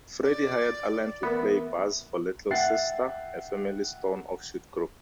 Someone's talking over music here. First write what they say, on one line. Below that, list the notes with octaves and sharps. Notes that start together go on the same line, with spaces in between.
Freddie hired Allen to play bass for Little Sister, a Family Stone offshoot group.
D5
E2 B3 A#4 E5
E5 F#5 G5 F#6 A6 C7